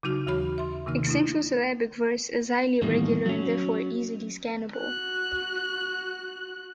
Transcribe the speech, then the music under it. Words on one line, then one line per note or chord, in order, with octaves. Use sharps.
Accentual-syllabic verse is highly regular and therefore easily scannable.
C#3 F#3 D#4 F#4 F6
D#2 E3 F#4 C#5 B5 F6
E5 C6
C3 D#3 A#3 D#4 F6
A3 D4 E4
E2 A2 D#3 G3 A#3
F#3 C#4
F#4 F#6